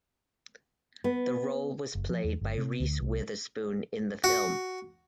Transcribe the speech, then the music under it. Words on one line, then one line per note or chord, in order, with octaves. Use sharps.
The role was played by Reese Witherspoon in the film.
B3
F#1
F3
E2
G1
C3
D2
C2
F#4